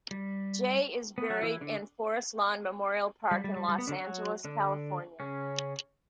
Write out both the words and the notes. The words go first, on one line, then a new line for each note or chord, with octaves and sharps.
Jay is buried in Forest Lawn Memorial Park in Los Angeles, California.
G3
B3
F#3 F#4
E3 E4
D3 D4
G3
G3
G3
G3
B3
D3 D4
F#3 F#4
D3 D4
C#3 C#4